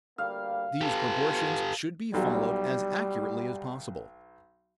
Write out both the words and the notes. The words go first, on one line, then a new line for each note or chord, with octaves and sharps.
These proportions should be followed as accurately as possible.
D2 G3 A#3 F5
F#3 B3 F4 G4 A4
B1 F#3 G3